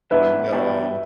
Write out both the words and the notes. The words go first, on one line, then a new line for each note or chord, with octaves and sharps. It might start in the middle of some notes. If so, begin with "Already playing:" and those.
Oh, no.
G2 E3 B3 D4 B4 E5
E2 B2 G3 D4